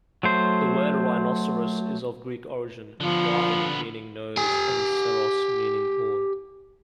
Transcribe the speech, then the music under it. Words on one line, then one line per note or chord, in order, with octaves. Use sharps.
The word "rhinoceros" is of Greek origin; "rhin" meaning "nose", and "ceros" meaning "horn".
F#3 A3 C5
D3 F3 B3
G4 G#5